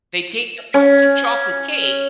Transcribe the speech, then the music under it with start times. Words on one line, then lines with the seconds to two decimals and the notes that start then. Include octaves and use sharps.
They take a piece of chocolate cake,
0.74 C#4